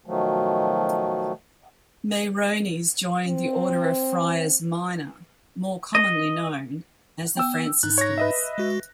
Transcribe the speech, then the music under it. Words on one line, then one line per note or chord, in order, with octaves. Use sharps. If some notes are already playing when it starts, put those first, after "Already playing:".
Meyronnes joined the Order of Friars Minor, more commonly known as the Franciscans.
B2 D#3 F3 F#3 A3
C4
D#5
B3 G5 E6
G#2 D#4 F#6
C#5 A#6
B4 D#5 E5
G#3 F#4 A#6